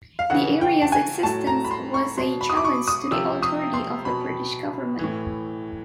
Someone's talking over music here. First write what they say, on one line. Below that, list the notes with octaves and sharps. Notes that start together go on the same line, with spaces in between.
The areas' existence was a challenge to the authority of the British government.
F5
C#3 E3 F#5
G5
A5
G#5
A2 F#3 A5
A#5
B5
C6
C#6
B2 F#3 C6
B5
D#6
D6
C#6
D#6
C3 F3 E6
D#6
C6
B2 F#3 B5
A2 E3